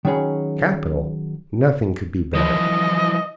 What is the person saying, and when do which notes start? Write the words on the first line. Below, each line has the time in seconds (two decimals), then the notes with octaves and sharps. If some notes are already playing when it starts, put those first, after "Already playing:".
Capital; nothing could be better.
0.05 D#3 F#3 C#4 G#4 B5
2.35 E3 F3 D#5